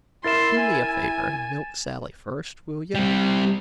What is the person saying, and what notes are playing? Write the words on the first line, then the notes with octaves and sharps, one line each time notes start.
Do me a favor and milk Sally first, will you?
E4 A#4 E5 C6 A6 E7
G#5
G3 C4